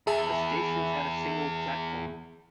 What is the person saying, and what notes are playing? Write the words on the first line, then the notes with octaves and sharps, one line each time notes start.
The stations had a single platform.
E2 G#4 E5 A5